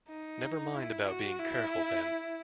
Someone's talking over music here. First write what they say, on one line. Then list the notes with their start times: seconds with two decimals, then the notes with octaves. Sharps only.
Never mind about being careful, then.
0.09 D#4
0.75 E4
1.07 F#4
1.39 E4